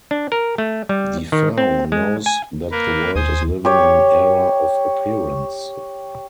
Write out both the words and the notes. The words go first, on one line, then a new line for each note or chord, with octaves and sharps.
Defao knows that the world is living an era of appearance.
D4
A#4
A3
G3
D#3
C4
G#3
G#5
A#3 A#4 B4
D#2 C5 G#5 D#6
G4 C#5